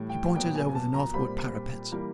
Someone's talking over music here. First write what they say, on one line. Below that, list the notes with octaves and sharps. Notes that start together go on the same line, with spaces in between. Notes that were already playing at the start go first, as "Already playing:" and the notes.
He pointed over the northward parapet.
Already playing: A2 E3 G3
G5
A#2 F#3 B3 G5
G#5
G#5
A5
A#5
A#2 G3 C4 B5
E3 G3 A#3